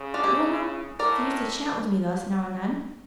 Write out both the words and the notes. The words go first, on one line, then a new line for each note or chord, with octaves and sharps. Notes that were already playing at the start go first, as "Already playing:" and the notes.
"You will not refuse to chat with me thus now and then?"
Already playing: C#3
D4 F4
E4 G4
A2 A#4 D5